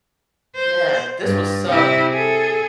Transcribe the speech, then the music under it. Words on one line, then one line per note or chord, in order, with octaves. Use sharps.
Man, this was so
C5
G2
C3 E4
G#4 A4